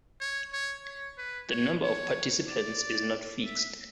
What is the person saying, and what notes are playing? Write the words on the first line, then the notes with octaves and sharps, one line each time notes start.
The number of participants is not fixed.
C#5
C#5
C#5
B4
C#5
C#5
D5
E5